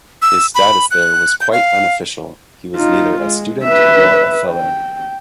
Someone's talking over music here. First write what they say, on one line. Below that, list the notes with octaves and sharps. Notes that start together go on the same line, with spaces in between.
His status there was quite unofficial; he was neither a student nor a fellow.
E6
B5
F#6
G6
F5
D#4 F4
G#3
B4 E5
G5